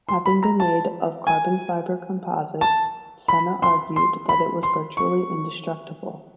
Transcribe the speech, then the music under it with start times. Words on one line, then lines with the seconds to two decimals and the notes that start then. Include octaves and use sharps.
Having been made of carbon fibre composite, Senna argued that it was virtually indestructible.
0.09 C6
0.26 B5
0.43 A#5
0.60 A5
1.27 G#5
2.61 A5
3.28 B5
3.63 C6
3.96 C6
4.29 B5
4.63 C6
4.97 C#6